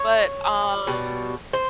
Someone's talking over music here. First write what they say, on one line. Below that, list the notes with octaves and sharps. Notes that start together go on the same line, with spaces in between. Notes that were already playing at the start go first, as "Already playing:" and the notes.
But, um,
Already playing: C#5
B2 G3
C5